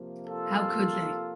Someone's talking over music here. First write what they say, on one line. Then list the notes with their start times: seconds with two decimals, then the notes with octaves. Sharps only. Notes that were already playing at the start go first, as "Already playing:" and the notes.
How could they?
Already playing: C3 F3 A#3
0.27 F4 A4